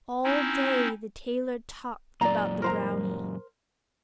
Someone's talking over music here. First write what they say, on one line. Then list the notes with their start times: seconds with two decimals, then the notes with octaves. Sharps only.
All day the tailor talked about the brownie.
0.24 C4 C#4 D#4 E4
2.21 F#2 A#2 D5 A#5
2.62 A#4 C5 A#5